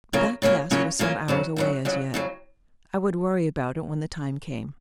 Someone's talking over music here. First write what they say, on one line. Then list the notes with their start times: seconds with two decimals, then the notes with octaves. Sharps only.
But that task was some hours away as yet; I would worry about it when the time came.
0.13 C#3 F#3 A#3 C#4 F4
0.42 C#3 F#3 A#3 C#4 F4
0.71 C#3 F#3 A#3 C#4 F4
0.99 C#3 F#3 A#3 C#4 F4
1.28 F2 C#3 F#3
1.56 F2 C#3 F#3
1.85 F2 C#3 F#3
2.14 F2 C#3 F#3